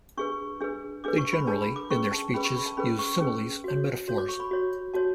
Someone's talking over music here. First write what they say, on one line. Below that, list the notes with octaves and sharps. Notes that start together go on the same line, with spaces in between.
They generally in their Speeches use Similies and Metaphors.
D4 G#4 B4 C#6
D4 G#4 B4
D4 G#4 B4 D6
C#6
B5
D4 G#4 B4 A5
B5
D6
C#4 G#4 B4 C#6
A5
C#4 G#4 B4 B5
C#6
B5
A5
C#4 G#4 B4 B5
C#6
C#4 G#4 B4
F#4 C#5
F#4 C#5
D6
C#6
B5
F#4 C#5
F#4 C#5 A5